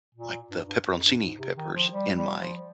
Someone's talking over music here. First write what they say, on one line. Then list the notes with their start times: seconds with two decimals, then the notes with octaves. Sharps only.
like, the peperoncini peppers in my,
0.15 A#2
0.50 G2
0.67 G2
0.86 F2
1.03 G2
1.21 G#2
1.38 C3
1.56 D#3
1.74 F3
1.92 G3
2.15 G3
2.39 F3